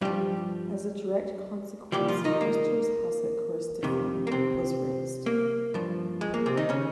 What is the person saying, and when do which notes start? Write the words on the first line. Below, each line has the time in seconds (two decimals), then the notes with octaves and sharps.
As a direct consequence Forrester's house at Corstorphine was razed.
0.01 G2 F3 G3 G4
1.92 C2 A#2 F3 G3 G4
2.08 F3 F4
2.24 D#3 D#4
2.41 A#3
3.83 F2 C3 D#3
4.27 A#3
4.31 C3 C4
5.26 A#3
5.74 G2 F3
6.21 G#3
6.34 A#3
6.46 C3 C4
6.57 D#3 D#4
6.69 C#3 C#4